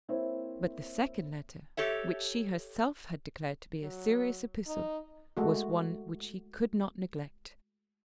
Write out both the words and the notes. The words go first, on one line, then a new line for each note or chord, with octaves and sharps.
But the second letter, which she herself had declared to be a serious epistle, was one which he could not neglect.
A#3 C4 E4 C5 C#5 E5
G4 A4 C#5 E5
F#3
D#4
G#3 A3 F#4